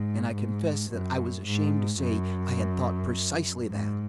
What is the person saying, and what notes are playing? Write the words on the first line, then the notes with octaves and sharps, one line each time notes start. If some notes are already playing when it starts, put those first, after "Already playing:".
And I confess that I was ashamed to say I had thought precisely that.
Already playing: G#2
G#2
F#2
G#2
F#2
G#2